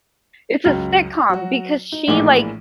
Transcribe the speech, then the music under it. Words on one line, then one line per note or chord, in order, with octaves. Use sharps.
it's a sitcom because she, like,
C#2 F#2 F6
F#3 F#4
D#4
A#1 A2 E3 A#3 G#4 D6